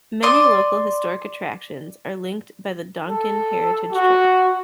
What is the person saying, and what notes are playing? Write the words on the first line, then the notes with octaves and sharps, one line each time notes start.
Many local historic attractions are linked by the "Donkin Heritage Trail".
D5 C6 D#6
A4
F#4